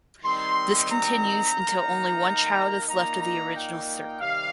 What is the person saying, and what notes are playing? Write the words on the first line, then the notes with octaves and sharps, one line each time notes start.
This continues until only one child is left of the original circle.
D#3 G3 C4 D#4 C6
A#5
D#3 A#3 D#4
A#2 A#3 D#4 A#5
A#5
G5
C3 D#3 G3 F5